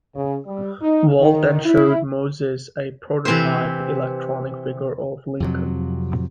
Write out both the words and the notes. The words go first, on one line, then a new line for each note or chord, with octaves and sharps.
Walt then showed Moses a prototype electronic figure of Lincoln.
C#3
G3
D#4
D#3
E4
C3 E3 C4 E4 G4 C5
F2 C3 F#3